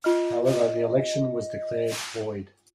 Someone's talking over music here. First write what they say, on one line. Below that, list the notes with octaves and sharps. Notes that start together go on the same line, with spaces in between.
However, the election was declared void.
F4 D#5 F6